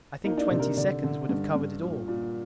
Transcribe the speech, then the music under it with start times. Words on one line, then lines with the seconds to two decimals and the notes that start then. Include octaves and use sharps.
I think twenty seconds would have covered it all.
0.24 A#3 D#4
0.37 D4
0.41 D#4
0.50 C3
0.60 A#4
0.77 D3 D5
1.04 D3
1.29 G2
1.55 G2
1.82 A#2
2.08 A#2